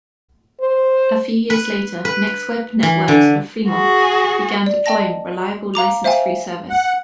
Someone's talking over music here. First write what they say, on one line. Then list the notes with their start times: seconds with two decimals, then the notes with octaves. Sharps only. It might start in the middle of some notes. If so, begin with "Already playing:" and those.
A few years later NextWeb Networks of Fremont began deploying reliable license free service.
0.61 C5
1.50 B4
2.05 B4
2.83 E3
3.08 D3
3.69 F#4 G#4
4.66 D5
4.86 D#5 G5 A5 A#6
5.74 F5 A#5 D6 F7
6.04 C5 E5 F5 G5 G#5
6.70 F#5